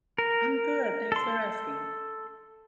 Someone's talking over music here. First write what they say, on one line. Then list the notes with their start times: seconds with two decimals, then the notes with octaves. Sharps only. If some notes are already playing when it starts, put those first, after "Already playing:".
I'm good, thanks for asking.
0.18 A#4
1.12 A4 C6